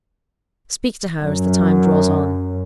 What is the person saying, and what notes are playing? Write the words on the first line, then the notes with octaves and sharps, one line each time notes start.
Speak to her, as the time draws on.
F#2